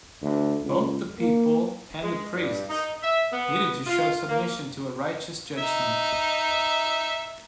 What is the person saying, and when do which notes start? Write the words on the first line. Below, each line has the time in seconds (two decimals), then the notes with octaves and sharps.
Both the people and the priests needed to show submission to a righteous judgement.
0.22 D2
0.63 C#2
1.19 A#3
2.03 G#3
2.36 G2
2.69 D#4
3.03 E5
3.33 B3
3.87 F4
4.29 A#3
5.58 D#4 E5